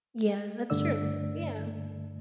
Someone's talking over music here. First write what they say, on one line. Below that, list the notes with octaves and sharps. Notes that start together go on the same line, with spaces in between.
Yeah, that's true, yeah.
G2 D3 A3 D5 E6